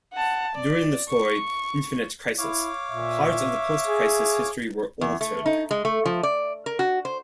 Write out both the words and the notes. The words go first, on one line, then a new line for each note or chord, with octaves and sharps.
During the story "Infinite Crisis", parts of the Post-Crisis history were altered.
F#5 A5
D5
C#6
E4 C#5 F5 D6
A#2 E5
G#4
E2
A3
D#4
G#3
A3
F3
D5
A#4
F#4
C5